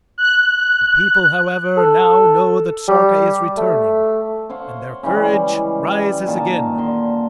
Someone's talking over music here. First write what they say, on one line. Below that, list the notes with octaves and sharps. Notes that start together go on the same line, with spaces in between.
The people, however, now know that Sarka is returning, and their courage rises again!
F#6
A4
G3
A3
C5 C#5 F5 F#5
C#3 E3 G3 G#3
G3
A#2 D#3 G#5 A5
D3 C6